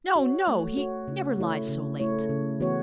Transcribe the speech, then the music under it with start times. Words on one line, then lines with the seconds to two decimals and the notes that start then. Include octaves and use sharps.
No--no--he never lies so late.
0.16 F#4 C#5
0.47 A3
0.77 F#4 C#5
1.08 C#3
1.38 A3 E4 C#5
1.69 C#3
2.00 A3 E4 C#5
2.29 C#3
2.60 E3 B3 F#4 C#5